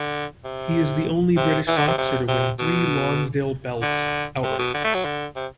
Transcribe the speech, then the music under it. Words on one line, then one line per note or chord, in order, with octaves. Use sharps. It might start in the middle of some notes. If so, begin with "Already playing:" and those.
He is the only British boxer to win three Lonsdale Belts outright.
Already playing: D3
C3
C3
E3
D3
C3
C3
C3
B2
D3
C3
B2
D3
A3
F#3
D3
C3